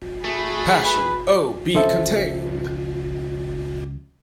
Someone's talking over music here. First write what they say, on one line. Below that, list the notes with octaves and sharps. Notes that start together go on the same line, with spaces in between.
Passion, O, be contain'd!
A3 F#4 G#4 B5
B4
C#2 F3 A4 E5